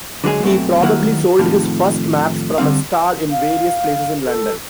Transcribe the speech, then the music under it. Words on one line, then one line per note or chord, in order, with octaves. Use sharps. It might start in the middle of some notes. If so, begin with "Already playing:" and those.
He probably sold his first maps from a stall in various places in London.
D3 F#3 G#3 G#4
F#2 B2 A3 C4
D#2 F#3 A#3 E4 F#5
A2 C3 D#3 F3
D3 G3 C4 F5
F5
A4